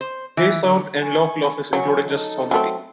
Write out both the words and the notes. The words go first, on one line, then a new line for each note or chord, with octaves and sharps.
He served in local office including justice of the peace.
C5
E3
D3
G#5 C#6
F#3 G#5 C#6
D#4 A4
F#3 A3 C4